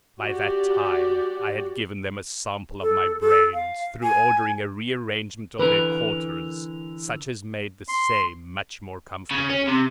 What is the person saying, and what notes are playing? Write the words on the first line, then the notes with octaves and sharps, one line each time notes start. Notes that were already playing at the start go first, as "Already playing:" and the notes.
By that time I had given them a sample of my brains through ordering a rearrangement of their quarters such as made the same much more comfortable.
F#4 G4 D5
A4
A4
F5
G#5
D3 E3 A#4 B4
C6
C#3
C#4
C3